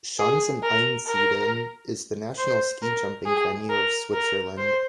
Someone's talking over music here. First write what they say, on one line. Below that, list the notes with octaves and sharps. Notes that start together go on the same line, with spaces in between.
Schanzen Einsiedeln is the national ski jumping venue of Switzerland.
G#4
A#4
A#4
C5
A#4
G#4
A#4
A#4
C5